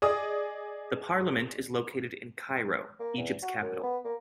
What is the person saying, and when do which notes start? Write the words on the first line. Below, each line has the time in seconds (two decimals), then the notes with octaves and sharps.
The Parliament is located in Cairo, Egypt's capital.
0.02 G#4 D5 D#5 D#6
3.00 A#3
3.17 E2
3.42 F#4
3.62 F#2
3.83 B3
4.05 A#3